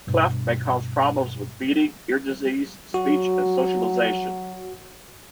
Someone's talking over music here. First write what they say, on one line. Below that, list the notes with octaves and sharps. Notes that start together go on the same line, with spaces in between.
Cleft may cause problems with feeding, ear disease, speech and socialization.
G2 B2
F#3 F#4